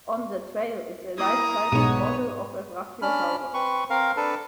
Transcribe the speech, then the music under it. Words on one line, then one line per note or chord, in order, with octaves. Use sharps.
On the trail is a life-sized model of a brachiosaurus.
A#3 E4 A#5 D#6
B1 G#2 B3 C#5 D#7
C#4 D4 B5 F6
C4 B4 C#6
C4 A#4 F5
D4 A4 B4